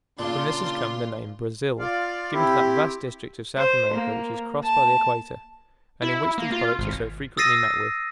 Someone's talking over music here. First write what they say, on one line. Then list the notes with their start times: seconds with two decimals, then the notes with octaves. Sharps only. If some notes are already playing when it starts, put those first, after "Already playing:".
From this has come the name "Brazil," given to that vast district of South America which is crossed by the equator, and in which these products are so frequently met with.
0.19 A#2 C#3 A#3 D4 F4 C6
1.79 F4 D5 F5
2.34 C4 E4 G4
3.57 C5
3.93 A#3
4.63 A5
6.02 E4
6.38 A#3
6.52 F4
6.79 G#1
7.37 D#6 E6 A6 A#6 C7 D#7